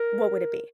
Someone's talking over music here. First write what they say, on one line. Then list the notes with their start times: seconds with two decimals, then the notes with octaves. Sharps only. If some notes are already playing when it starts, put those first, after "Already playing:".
what would it be?
Already playing: A#4